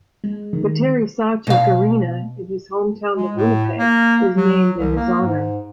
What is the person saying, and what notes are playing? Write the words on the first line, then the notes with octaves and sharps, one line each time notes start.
The Terry Sawchuk Arena in his hometown of Winnipeg is named in his honour.
G#3
D#3
B2 F5
G#3
A2
A#3
F#3
C2
A#3
G#2